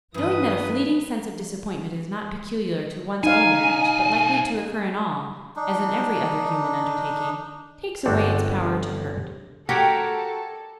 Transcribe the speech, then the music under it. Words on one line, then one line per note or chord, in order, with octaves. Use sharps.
Knowing that a fleeting sense of disappointment is not peculiar to one's own marriage, but likely to occur in all, as in every other human undertaking, takes away its power to hurt.
G2 D#3 E3 B4 D#6
B1 D#4 F5 G#5
D4 D#4
G1 C4 D4 F#4
F#4 G4 A4 A#4 C#5 F#5 G5